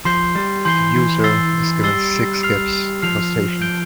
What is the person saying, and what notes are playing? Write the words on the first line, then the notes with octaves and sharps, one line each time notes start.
The user is given six skips per station.
F3 C6 G6 C7 G7
G3
E3 C6 G6 C7 G7
E3
E6 A6 C7 G7
G3 E6 A6 C7 G7
F6 C7 F7
F3 F6 C7 F7
G6 D7 G7